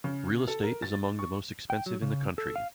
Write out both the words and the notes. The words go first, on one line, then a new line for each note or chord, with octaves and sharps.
Real estate is among the most expensive in the country.
C#3
A4
A#4
A6
C#6
G5
F#3
C#3
A4
F5